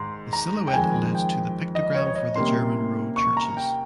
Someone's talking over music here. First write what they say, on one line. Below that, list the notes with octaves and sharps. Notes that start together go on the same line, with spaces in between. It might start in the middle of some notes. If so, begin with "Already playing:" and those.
The silhouette alludes to the pictogram for the German road churches.
Already playing: G#2 D#3 C6
A#5
G5
F2 D#3 G#3 G#5
G5
D#5
C#5
C#5
D#5
C3 G3 A#3 C#4 C6
C#6
A#5
G5